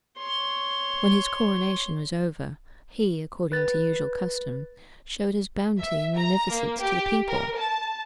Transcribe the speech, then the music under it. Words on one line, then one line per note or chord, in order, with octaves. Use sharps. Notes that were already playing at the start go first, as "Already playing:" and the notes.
When his coronation was over, he, according to usual custom, showed his bounty and munificence to the people.
C#5 C6
B4 A6
E5
A#5
A#3
G4
A#4
A5